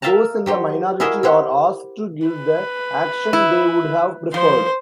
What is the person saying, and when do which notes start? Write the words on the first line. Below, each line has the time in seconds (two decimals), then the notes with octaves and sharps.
Those in the minority are asked to give the action they would have preferred.
0.02 A#4 E5 F5 G5 A5 A#5
0.46 F#3 G4 C5
1.00 E4 F#4 G#4 A#4 D#5 E5
1.23 E4 G4 C5 F#5
2.27 B4
3.33 E4
4.34 F3 C5